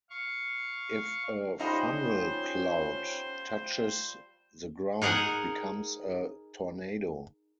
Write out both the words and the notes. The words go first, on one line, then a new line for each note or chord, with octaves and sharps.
If a funnel cloud touches the ground it becomes a tornado.
F5 C#6
F3 G3 C#4 D#4 C5 D#5 F#5
D#4 G#4 A#4 F#5 G#5